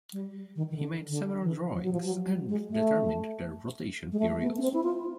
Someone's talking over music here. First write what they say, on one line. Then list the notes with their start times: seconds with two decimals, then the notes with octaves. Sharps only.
He made several drawings and determined their rotation periods.
0.13 G3
0.56 D#3
0.71 D#3
0.76 D3
1.09 D3
1.41 E3
1.74 F3
1.83 F#3
1.92 F3
2.05 F#3
2.27 G3
2.49 G#3
2.70 A3
4.12 G#3
4.19 A3
4.41 B3
4.57 C#4
4.62 C4
4.73 E4
4.83 F4